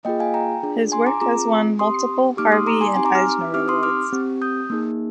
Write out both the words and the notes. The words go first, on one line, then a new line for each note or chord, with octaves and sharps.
His work has won multiple Harvey and Eisner Awards.
A#3 F4 G#4 D#5 G5
F5 G#5
G5 A#5
D4 F4 G#4
G#5 C6
A#5 D6
C4 F4 G#4 A#5 D6
C4 G4 C6 D#6
A#3 D#4 G4 D6 F6
C6 D#6
A#5 D6
G#5 C6
C4 D#4 G4 G#5 C6
A#5 D6
D6 F6
C4 D#4 G4 D6 F6
C6 D#6
D6 F6
C4 G4
D#6 G6
A#3 D#4 G#4